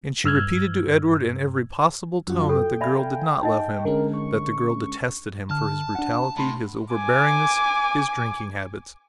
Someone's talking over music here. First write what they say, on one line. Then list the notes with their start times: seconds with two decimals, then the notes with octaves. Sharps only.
And she repeated to Edward in every possible tone that the girl did not love him; that the girl detested him for his brutality, his overbearingness, his drinking habits.
0.24 G2 E6 F6 G#6
2.28 F#2 F4 F#4 F#5
2.49 A4 G5
2.81 D5 E5 F5 G#5 B5
3.43 D#4 D#5
3.85 D3 G#3 C#4 A#4
4.14 C#6
5.50 D3 A5 F6
5.95 D4 F#5
6.37 A2 A5 B5 C6
6.94 G#5 D6